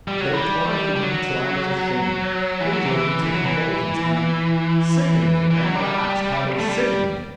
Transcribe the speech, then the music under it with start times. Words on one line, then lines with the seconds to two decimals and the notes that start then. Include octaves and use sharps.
They tormented me till I was ashamed: they drove me to convulsions and--sickened me, at last, how they sickened me!
0.08 G3
0.21 F#3
0.33 G3
0.67 A3
0.71 G3
0.96 G3
1.03 F#3
2.60 E3
2.73 F#3
2.86 E3
3.23 E3
3.34 F#3
3.46 E3
5.51 E3
5.63 F#3
5.75 G3
6.59 A3
6.69 G3